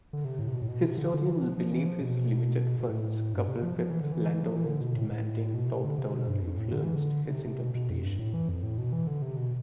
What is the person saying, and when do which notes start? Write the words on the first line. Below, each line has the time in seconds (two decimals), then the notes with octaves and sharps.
Historians believe his limited funds, coupled with landowners' demanding top dollar, influenced his interpretation.
0.13 D3
0.25 C3
0.39 A2
0.48 C3
0.54 B2
0.62 A2
0.69 B2
0.83 C3
0.98 D3
1.13 D3
1.28 E3
1.42 F3
1.57 F3
1.71 E3
1.86 F3
2.01 B2
2.80 B2
2.89 A2
3.34 G2
3.48 C3
3.63 F3
3.78 F3
3.89 E3
4.01 D3
4.12 E3
4.43 F3
4.55 E3
4.66 D3
4.81 B2
4.95 A2
5.10 A2
5.54 B2
5.68 C3
5.84 D3
5.98 C3
6.13 B2
6.28 G2
6.43 F2
6.57 A2
6.72 D3
6.84 E3
6.95 D3
7.25 D3
7.31 C3
7.45 C3
7.60 B2
7.75 B2
7.90 F2
8.04 G2
8.19 A2
8.33 E3
8.49 F2
8.63 A2
8.78 B2
8.93 E3
9.07 D3
9.22 C3
9.37 B2